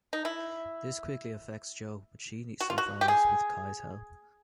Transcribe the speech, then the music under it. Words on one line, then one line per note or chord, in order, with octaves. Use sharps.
This quickly affects Jo, but she survives with Ky's help.
D#4
E4
F#4
F4
F#4
G4
G#4